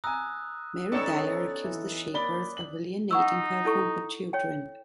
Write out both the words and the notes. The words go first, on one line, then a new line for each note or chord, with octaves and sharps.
Mary Dyer accused the Shakers of alienating her from her children.
G#5 A#5 D#6 E6 F#6
B3 C#4 D#4 A4 C#5 D5
E3
A#3 D5 B5 G7
F#7
D#4 F#5 C#6 E6
E4 A4 C#6
C#5 G5